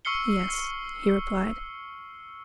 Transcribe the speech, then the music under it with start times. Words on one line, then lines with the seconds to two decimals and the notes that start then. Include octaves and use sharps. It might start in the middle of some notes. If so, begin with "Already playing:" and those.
"Yes," he replied.
0.05 C#6 E6 F6 C7 C#7 G7